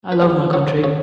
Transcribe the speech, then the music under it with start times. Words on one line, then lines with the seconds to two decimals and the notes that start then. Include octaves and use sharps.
I love my country.
0.12 B4
0.22 B3 G#4
0.53 F#3 C#5
0.84 C#3 C#5